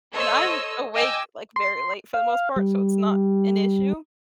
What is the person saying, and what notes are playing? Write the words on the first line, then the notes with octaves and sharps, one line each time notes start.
and I'm awake, like, very late for the most part, so it's not an issue,
A4 C5 C#5 D#5 E6
D#5 G5 G#5 D6 E6
C6
F5
G3